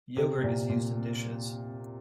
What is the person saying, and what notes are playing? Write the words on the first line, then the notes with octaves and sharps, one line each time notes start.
Yoghurt is used in dishes.
C3
C3
A#2
A#2